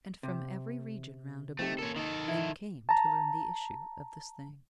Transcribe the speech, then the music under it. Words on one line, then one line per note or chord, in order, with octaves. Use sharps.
And from every region round about men came to learn the issue of this thing.
C3
A3 C4 D#4 G4
A#3 C#4 A4
D#3 D#4 A4
E4
A5 A#5